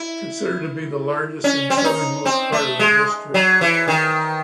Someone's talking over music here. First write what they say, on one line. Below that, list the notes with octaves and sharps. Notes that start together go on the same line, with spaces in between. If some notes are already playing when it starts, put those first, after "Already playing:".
Considered to be the largest and southernmost part of the district.
Already playing: E4
C#4
C4
C#4
D#4
C4
A3
G#3
F#3
E3
D#3